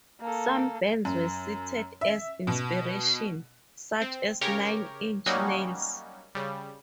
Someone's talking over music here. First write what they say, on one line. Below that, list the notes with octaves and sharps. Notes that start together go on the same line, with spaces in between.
Some bands were cited as inspiration, such as Nine Inch Nails.
A#3 A4
F#2
E5
B2
C4
C#3 G4 A#4 C#5
F#3 G3 A#3 C#4 D#4 F#4
C#3 G3